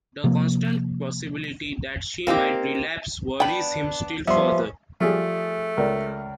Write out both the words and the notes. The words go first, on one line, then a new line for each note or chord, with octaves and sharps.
The constant possibility that she might relapse worries him still further.
C3 F3 A#3
A#3 C4 D#4 G4
B3 D4 G5 B5
F3 G3 B3 C#4 E5 C6
F3 G3 A3 G#4
C#2 A#4 D5